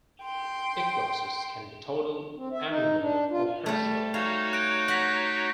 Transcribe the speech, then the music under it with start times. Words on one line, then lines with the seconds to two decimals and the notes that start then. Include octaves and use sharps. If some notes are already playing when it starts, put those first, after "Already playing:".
Eclipses can be total, annular, or partial.
0.24 G5 C6
2.37 C4
2.52 E5
2.69 D#4
3.00 D4
3.31 F4
3.66 G3 A3
4.14 D#4 F#4 C#5 F5
4.53 F#6 D7
4.88 F#5 A#6 B6